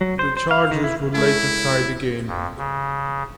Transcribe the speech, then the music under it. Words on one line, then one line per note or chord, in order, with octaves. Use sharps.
The Chargers would later tie the game.
F#3
C5
C5
F5
D#3
E4
C#2 A3 E4
F2
C#3